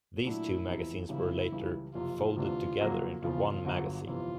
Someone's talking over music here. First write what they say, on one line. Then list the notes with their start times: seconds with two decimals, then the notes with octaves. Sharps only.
These two magazines were later folded together into one magazine.
0.25 A#2 F#3 A3 D4 E4
0.66 F1 E2 C3 F3
1.09 G1 F#2 C#3 E3 G3 E4
1.52 C#2 C#3 E3 G3
1.94 F#1 F2 C3 F4
2.36 D2 C3 E3 A3 D4 F4
2.80 F2 C#3 F#3 A#3
3.21 E1 E2 C#3 F3 F4
3.64 G1 G2 D3 F#3
4.07 G1 F2 C3 E3 F4